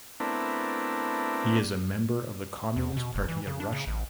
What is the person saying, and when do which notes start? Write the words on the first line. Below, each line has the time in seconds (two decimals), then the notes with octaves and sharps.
He is a member of the Communist Party of Russia.
0.20 A3 B3 C4 D4 E4 A#4
2.76 E2
2.97 B2
3.15 F#1
3.28 E3
3.47 C#3
3.60 D4
3.73 C#3
3.87 A1